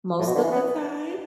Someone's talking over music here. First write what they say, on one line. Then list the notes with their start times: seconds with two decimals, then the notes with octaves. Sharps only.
most of the time
0.19 A2
0.27 B2
0.35 D3
0.43 E3
0.52 B3